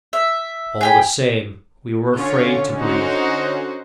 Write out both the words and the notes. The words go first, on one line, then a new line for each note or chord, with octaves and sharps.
All the same, we were afraid to breathe.
E5
G#4 G5 B5
D3 C#4 F4 C#5
D#4 F#4 C5